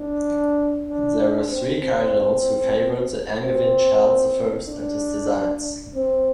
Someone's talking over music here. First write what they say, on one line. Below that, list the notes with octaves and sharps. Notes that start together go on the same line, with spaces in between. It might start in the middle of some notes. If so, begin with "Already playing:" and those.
There were three cardinals who favored the Angevin Charles the First and his designs.
Already playing: D4
D4
C4
C4
C4
D4
C4